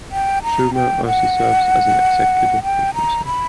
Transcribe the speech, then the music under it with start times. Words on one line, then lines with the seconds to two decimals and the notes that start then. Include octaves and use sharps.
Schumer also serves as an executive producer.
0.11 G5
0.43 A#5
0.74 G5
1.06 F#5
2.63 G5
2.94 A#5
3.26 B5